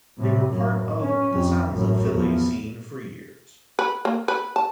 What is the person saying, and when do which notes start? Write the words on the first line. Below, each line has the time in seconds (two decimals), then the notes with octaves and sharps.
They were part of "The Sounds Of Philly" scene for years.
0.18 A2 C3
0.51 F#2 A2
1.01 C#4
1.32 F2
1.73 A1 F#2
2.11 E2 F3
3.79 B4
4.05 A#3
4.28 B4
4.56 A5